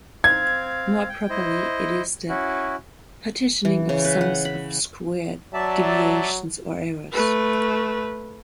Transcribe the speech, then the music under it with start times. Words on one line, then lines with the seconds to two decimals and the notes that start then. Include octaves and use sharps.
More properly, it is the partitioning of sums of squared deviations or errors.
0.24 C4 F5 G#6
1.09 G5
1.29 E4 C5 D#5
2.29 C#4 E4 F#4
3.65 E3
3.89 C#3
4.05 B4
4.21 F#5
4.45 B5
5.54 F#3 D5 E5 A5
7.12 A3 B4